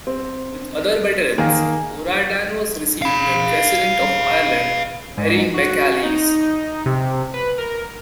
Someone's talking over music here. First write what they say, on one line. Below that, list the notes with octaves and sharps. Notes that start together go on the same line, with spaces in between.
With other veterans O'Riordan was received by President of Ireland Mary McAleese.
C4
D#3 A#3 G#4
F5 B5
G#2
F#4
D#4
C3
B4
A#4